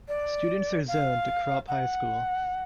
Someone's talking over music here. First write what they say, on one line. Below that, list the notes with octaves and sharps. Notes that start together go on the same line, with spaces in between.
Students are zoned to Krop High School.
D5
F5
F#5